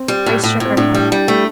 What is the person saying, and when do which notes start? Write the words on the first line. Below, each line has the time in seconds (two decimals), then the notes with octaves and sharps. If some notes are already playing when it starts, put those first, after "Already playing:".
Grace shook her head.
Already playing: C4
0.08 G3
0.26 A2
0.43 A2
0.60 A2 C4
0.77 A2 D4
0.95 G3
1.12 G3
1.28 A3